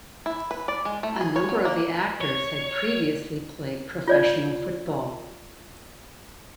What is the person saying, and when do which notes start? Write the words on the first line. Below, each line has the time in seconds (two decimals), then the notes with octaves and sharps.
A number of the actors had previously played professional football.
0.26 E4
0.51 B4
0.68 D5
0.85 G#3
1.03 A3
1.21 G#4
1.36 C#5
1.49 F#3
1.65 A#3
2.21 C#5
4.08 F4 C#5 D5